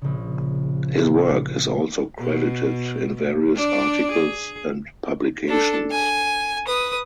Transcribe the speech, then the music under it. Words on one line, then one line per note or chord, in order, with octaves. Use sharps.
His work is also credited in various articles and publications.
A#1 C#3
B2
D4 D5
G#4
D4 A4
G#5
B4 D#6